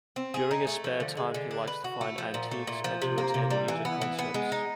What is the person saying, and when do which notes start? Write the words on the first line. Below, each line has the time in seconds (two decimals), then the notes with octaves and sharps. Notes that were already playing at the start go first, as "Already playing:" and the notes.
During his spare time he likes to find antiques and to attend music concerts.
0.16 C4
0.34 G#4
0.51 D#4
0.67 A3
0.84 F3
1.00 D3
1.17 G#3
1.34 D3
1.51 D4
1.67 B4
1.84 F#4
2.01 A3
2.18 F3
2.34 A#2
2.51 A3
2.67 A#2
2.84 F3
3.02 C3
3.18 A#3
3.34 C3
3.51 G3
3.68 E3
3.85 B3
4.01 E3
4.19 B3
4.34 G#3
4.52 D#4